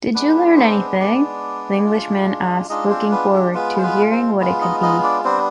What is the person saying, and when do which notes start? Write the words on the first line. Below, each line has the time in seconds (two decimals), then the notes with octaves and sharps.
"Did you learn anything??", the English man asked looking forward to hearing what it could be.
0.15 G#3 B3 D4 B4
0.56 C4 C5
0.99 G#3 B3 D4 D5
1.84 G#3 D4 F4
2.69 G#3 D4 D#4 F4 D#5
2.90 C4 C5
3.11 B3 B4
3.33 G4
3.54 G#3 B3 F4 B4
3.78 C5
3.83 B3 B4
4.11 C4 C5
4.39 G#3 B3 F4
4.61 D#4 D#5
4.82 D#4 D#5
5.03 D4 D5
5.24 G3 B3 C4 D4 C5